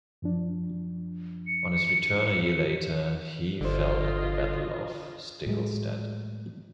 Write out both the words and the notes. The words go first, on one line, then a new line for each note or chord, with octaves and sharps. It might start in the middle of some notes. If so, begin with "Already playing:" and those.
On his return a year later he fell at the Battle of Stiklestad.
F#2 F3 D4
C#7
G1 D3 F4 C5 D#5
A2 F#3 G#3 A3